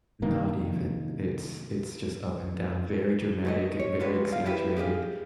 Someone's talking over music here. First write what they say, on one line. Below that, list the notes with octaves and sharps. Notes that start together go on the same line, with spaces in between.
Not even. It's it's just up and down, very dramatic, e very exaggerated.
C3 D#3 A#3
G2 A3 D#5
C#5
C#2 G#2 G3 G#3 B4
F5
E4 G4 B4
G4 G#4 D5 F5